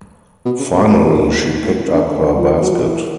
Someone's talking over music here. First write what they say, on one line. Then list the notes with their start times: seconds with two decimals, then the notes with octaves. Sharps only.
Finally she picked up her basket.
0.45 B2
0.59 C#3
0.74 B2
0.89 B2
1.04 A#2
1.63 A2
1.78 A2
1.93 D3
2.09 D3
2.39 F3
2.62 F#3
2.71 F3
2.82 E3